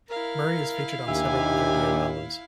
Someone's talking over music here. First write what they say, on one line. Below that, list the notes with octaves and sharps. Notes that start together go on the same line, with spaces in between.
Murray is featured on several other Dio albums.
E4 A#4 F5
D#2 D4 G4 E5 G#5